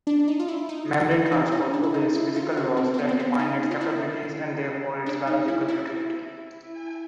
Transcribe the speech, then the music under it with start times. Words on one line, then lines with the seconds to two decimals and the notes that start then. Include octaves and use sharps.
Membrane transport obeys physical laws that define its capabilities and therefore its biological utility.
0.07 D4
0.28 D#4
0.40 F4
0.48 E4
0.69 D#4
1.11 E4
1.26 E4
1.32 D#4
1.52 C#4
1.74 D4
1.83 E4
1.94 D#4
2.15 E4
2.36 F4
2.52 F4
2.57 F#4
2.77 C4
2.94 C4
2.99 B3
3.09 C4
3.20 B3
3.39 D#4
3.71 F4
3.81 E4
5.06 D4
5.27 D#4
5.48 E4
5.68 E4